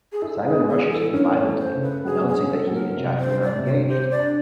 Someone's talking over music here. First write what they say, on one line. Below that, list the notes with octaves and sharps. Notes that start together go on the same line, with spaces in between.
Simon rushes in violently, announcing that he and Jackie are engaged.
G#4
E4 A4
G#4
B3
G#4
E3
A4
C#4 A#4
C#5
A3
C5
C#3
B4
F#3 G#4
G#4
C#4
A4
F#3
A#4
C3
C5
G3
D5
C3
C#5
G4 C5
D5
D4